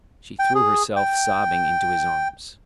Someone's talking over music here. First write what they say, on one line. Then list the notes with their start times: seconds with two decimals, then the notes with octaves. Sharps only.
She threw herself sobbing into his arms.
0.39 G5
0.55 G#4
0.96 G5